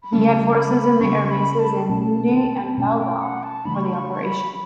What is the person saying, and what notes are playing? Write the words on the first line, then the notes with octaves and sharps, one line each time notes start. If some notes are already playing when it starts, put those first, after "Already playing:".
He had forces in the airbases in Pune and Belgaum for the operation.
B5
C#3 G3 C#4 A5
B5
C#3 G3 C#4 C#6
B5
A5
B2 A3 C#4 A5
B2 A3 C#4 A5
G5
F#5
A5
C#3 E3 A3 D4 B5
C#6
B5
C#6
C#6
B5